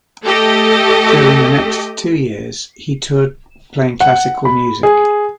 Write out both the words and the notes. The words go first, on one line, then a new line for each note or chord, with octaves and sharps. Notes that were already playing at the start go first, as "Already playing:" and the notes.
During the next two years, he toured playing classical music.
A3 G4 A4 D#5
F#5
B5
G#4